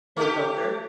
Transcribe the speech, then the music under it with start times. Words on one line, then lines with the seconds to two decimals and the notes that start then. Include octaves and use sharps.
No filter.
0.17 A3 G4